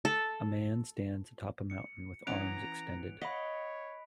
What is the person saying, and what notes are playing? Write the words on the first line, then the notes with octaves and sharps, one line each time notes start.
A man stands atop a mountain with arms extended.
A4
C#7
E3 B3 C#4 A#5 F#6 D7 F7
C#5 D#5 F5 F#5 B5 B6